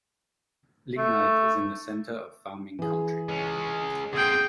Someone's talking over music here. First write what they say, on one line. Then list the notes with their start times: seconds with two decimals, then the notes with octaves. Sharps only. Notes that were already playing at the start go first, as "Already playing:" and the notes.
Lignite is in the center of farming country.
0.98 A3
2.79 E3 G#4
3.29 G#3 C#4
4.13 D3 C4 G#4 G5